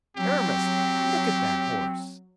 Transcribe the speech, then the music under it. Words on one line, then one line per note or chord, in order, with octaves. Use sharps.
"Aramis, look at that horse!"
F#3 C4 G4